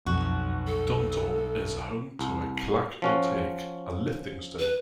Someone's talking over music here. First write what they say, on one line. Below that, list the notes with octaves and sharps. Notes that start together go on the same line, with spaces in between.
Duntulm is home to a clach-ultaich, a lifting stone.
B1 F2 F#4
A4
C2
F3 C#4 F#4
B4